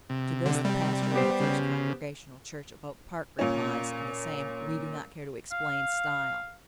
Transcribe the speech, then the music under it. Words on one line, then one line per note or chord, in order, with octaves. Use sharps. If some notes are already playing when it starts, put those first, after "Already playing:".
To this the pastor of the First Congregational Church of Oak Park replies in the same we-do-not-care- to-explain style.
C3
D3
G3
B3 G4 C5
C#3
A#2 C#4
F5